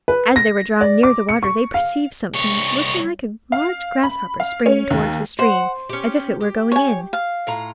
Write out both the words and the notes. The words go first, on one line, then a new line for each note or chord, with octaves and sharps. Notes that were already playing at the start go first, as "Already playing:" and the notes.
As they were drawing near the water they perceived something, looking like a large grasshopper, springing towards the stream, as if it were going in.
B4
A#6
D5
D6
C#7
C#6
F5
C2 C#5
F5
B5
F5
C#4
D#2
C5 F#5
C#4 G4
G4
C#5 G#5
F5
A2 F4 A#5